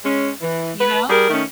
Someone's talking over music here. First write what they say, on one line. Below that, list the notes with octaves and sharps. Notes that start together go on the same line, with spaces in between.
you know?
G#3 C#4
E3
B4
G3 G#4 A#4
D#3 A3 C#4